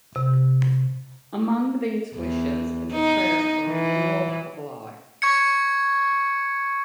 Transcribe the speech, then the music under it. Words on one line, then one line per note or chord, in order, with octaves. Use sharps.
Among these wishes is a prayer for a renewal of life.
C3
E2
D#4
E3
C#6 G#6 C#7